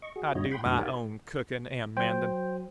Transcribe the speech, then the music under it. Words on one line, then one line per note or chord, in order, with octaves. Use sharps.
I do my own cooking and mending.
D#5 C#6
F#4 G#4
G2 D3 E4 F#4 C#5 D#5
F#5 G5 B5 C6
F#2 A2 D3 F#4 F#5
D#4 G4 A#4 C#5 D5
F#3 C5 G5